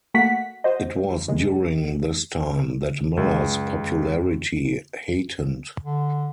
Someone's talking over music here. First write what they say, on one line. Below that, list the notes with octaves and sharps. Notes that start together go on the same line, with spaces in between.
It was during this time that Miller's popularity heightened.
A3 A#3 F#4 F#5 B6
F#4 C5 D#5
D#2 C#3 G#3
C#2 F#2
D3